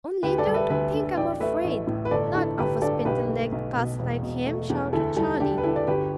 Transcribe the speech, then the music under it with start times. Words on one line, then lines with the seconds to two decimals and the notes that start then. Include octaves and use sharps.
"Only don't think I'm afraid,--not of a spindle-legged cuss like him," shouted Charlie.
0.23 D2 G4 B4
0.38 A4 D5
0.46 G3
0.54 B4 E5
0.70 D2 B4 E5
0.93 D3
1.17 A1 D5 G5
1.40 A3 B4 E5
1.64 A1
1.87 A2
2.05 B4
2.11 G1 A4 D5
2.35 D3 E4 A4
2.58 G1 G4 B4
2.82 G2 A4 D5
3.05 B1 G4 B4
3.29 A3
3.52 B1
3.76 B2
3.99 E1
4.23 B2
4.46 A3
4.70 E2
4.93 D2 E4 A4
5.16 G3 E4 A4
5.40 D2 D4 G4
5.58 B4
5.63 D3 E4 A4
5.76 D5
5.87 G1 G4 B4